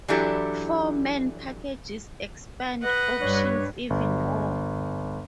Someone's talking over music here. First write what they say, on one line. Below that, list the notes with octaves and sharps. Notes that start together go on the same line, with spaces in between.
Four-man packages expand options even more.
E3 F#3 D4 E4 G4 A4
B4 D#5 F#5
G2 D4 C#5 D5
G1